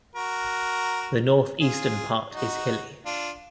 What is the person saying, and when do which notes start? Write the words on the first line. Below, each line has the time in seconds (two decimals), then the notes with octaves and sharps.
The north-eastern part is hilly.
0.15 F#4 A#4
1.60 F4 G#4
2.33 D#4 F#4
3.06 D4 F4